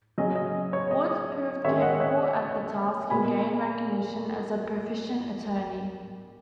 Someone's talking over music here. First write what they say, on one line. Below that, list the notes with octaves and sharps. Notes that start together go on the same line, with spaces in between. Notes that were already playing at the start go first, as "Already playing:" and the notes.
Woods proved capable at the task and gained recognition as a proficient attorney.
C#3 F#3 C#4 D#5
D#5
C#5
D#5
D#3 G#3 C#4 C#5 E5
D#5 F#5
C#5 E5
D#5
C#5 E5
A#2 G#3 B3 G#5 B5